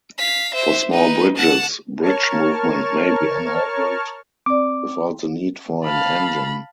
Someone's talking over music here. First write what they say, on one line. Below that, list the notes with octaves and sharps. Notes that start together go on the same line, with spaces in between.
For small bridges, bridge movement may be enabled without the need for an engine.
F5 B6
C5 E5
D#4 B4
F#5 A5
A#4 C#5 A5 C#6 F6
C4 D5 D6
F5 A5 B5